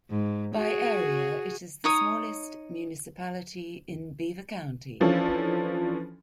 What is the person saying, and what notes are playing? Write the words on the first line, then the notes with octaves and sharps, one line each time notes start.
By area, it is the smallest municipality in Beaver County.
G#2
F#4 G#4
D#4 C#5 D#6
E3 F3 C#4 D4 A4